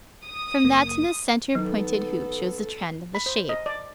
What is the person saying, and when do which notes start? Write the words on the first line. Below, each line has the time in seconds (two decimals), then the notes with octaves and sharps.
From that to the centre-pointed hoop shows the trend of the shape.
0.25 D#6
0.65 F#1 A#3
1.55 D#3 F#3 B3 D#4 A4
3.15 B5
3.26 C5
3.49 D#5
3.66 D5